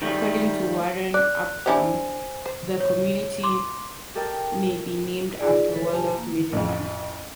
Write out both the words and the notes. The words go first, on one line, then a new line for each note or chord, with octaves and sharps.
According to Warren Upham, the community may be named after Waldorf, Maryland.
D#3 G3 A3
D5 F#6
D4 E4 G4 C5 G#5
C5
C#5
C6 D6
G4 A4 A#4 D#5 G5
D#4 F4 G#4 D5
A4 B4 C#5
G4 G#5 A5
A#3
A1 F2